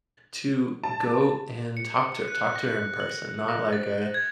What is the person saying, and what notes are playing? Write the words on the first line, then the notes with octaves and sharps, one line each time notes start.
to go and talk to her, talk to her in person, not like a
A5
C#7
F#6
A#6
F#7
A#6
A6
G#6